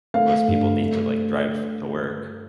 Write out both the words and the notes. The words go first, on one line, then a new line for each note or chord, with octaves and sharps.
Most people need to, like, drive to work
A3 F5
G2
A3